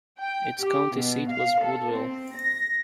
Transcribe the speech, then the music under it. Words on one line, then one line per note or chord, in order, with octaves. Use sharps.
Its county seat was Woodville.
G5
G4
B2
F5
A4
C4
A#6